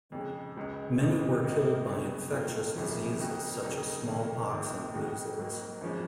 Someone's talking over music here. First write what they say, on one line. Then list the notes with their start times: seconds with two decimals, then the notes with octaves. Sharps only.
Many were killed by infectious diseases such as smallpox and measles.
0.12 F2 C#3 G#3
0.56 C#2 C#3 G#3
1.00 G#1 G#2 D#3 G#3 D#4
1.44 A#1 G#2 D#3 A#3 D#4
1.88 D#2 C#3 F#3 B3
2.31 F1 D#2 D#3 A#3 F4
2.75 G#1 F#2 C#3 F3 A#3
3.19 F2 D#3 A#3 D#4 F#4
3.63 D#2 C#3 F#3 A#3 D#4
4.06 F2 D#3 A#3
4.50 A#1 G#2 D#3 A#3
4.93 F2 D#3 G#3 D#4 F#4
5.38 G#2 F#3 A#3
5.81 G#1 F3 G#3 C#4